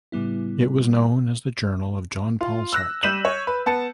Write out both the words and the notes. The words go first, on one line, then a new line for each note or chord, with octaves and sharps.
It was known as the journal of Jean-Paul Sartre.
A2 C#3 G3 B3 E4
F4
E6 F#6 A#6
G3 G6 B6 D#7 E7 F#7
C#5
B4
B3 A5 C#7